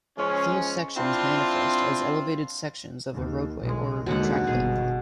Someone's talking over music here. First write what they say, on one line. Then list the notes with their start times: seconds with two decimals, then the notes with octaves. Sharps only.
Fill sections manifest as elevated sections of a roadway or trackbed.
0.18 F3 G#3 C#4
0.97 C4 D4 E4 F4
3.13 D#2
3.60 B1 G#3
4.06 D#2 B2 D3 F#3 G#3 F#5
4.47 G1 B2 G#4